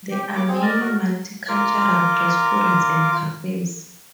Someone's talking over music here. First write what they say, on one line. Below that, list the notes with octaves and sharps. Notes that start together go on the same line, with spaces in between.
There are many multicultural restaurants and cafes.
G4
G5
A#3 C#5 D6
C4 G#4
A#4 D5 D#5
F#4 A#4
F4 A#4 D6